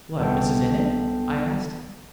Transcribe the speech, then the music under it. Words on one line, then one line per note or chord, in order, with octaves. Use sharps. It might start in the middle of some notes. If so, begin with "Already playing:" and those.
"What, Mrs. Innitt?" I asked.
C2 B3 A4 G5